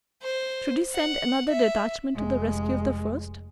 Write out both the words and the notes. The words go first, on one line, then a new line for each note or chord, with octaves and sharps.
Should he send another detachment to the rescue of the first?
C5
F#5
E5
F1 G#3